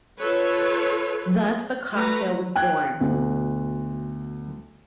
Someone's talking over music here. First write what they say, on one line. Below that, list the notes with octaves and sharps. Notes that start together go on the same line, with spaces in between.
Thus the cocktail was born.
F4 A4 B4 C#5
A3 F#4 B4 A#5
G5 F#6 G#6
D2 B2